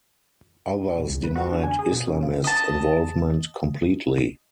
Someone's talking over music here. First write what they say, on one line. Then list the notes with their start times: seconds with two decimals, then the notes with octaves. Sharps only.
Others denied Islamist involvement completely.
0.98 A#2
1.10 C#2
1.23 B4
1.35 F#4
1.52 D4
1.63 G#5
1.79 G#4
1.92 B2
2.07 C#4
2.23 F4
2.44 D#5 A5